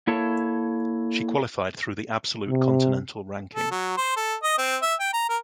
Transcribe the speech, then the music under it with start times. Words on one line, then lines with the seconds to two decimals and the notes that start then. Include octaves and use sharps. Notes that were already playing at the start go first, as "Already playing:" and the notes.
She qualified through the Absolute Continental Ranking.
0.07 A#3 E4 A4 C#5 A5
2.49 C3
3.55 A4
3.71 F#3
3.97 C5
4.17 A4
4.43 D#5
4.58 C4
4.82 E5
5.00 G5
5.14 A#5
5.30 A#4